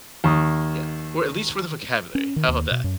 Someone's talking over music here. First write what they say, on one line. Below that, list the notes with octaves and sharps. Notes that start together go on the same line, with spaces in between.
Yeah, or at least for the vocabulary how about that?
D#2 C#6 D#6
C#4
D#3
D#2
B2
F#2